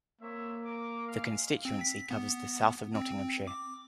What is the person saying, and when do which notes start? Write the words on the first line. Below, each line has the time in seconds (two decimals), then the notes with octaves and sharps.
The constituency covers the south of Nottinghamshire.
0.21 A#3 C4 C#5 E5
0.63 A#5 D6
1.08 G#3 F5
1.65 C4
1.81 B6
2.11 B3
2.95 C4
3.47 D6